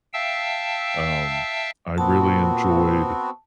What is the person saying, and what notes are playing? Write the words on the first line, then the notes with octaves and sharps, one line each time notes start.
um, I really enjoyed.
E5 F5 G5 A5 E6
A#2 B3 C4 F#4 A5